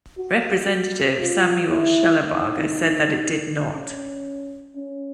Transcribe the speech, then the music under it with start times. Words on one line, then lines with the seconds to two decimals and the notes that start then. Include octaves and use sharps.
Representative Samuel Shellabarger said that it did not.
0.18 F#4
1.20 F4
1.71 E4
2.22 D#4
3.74 C#4
4.76 C#4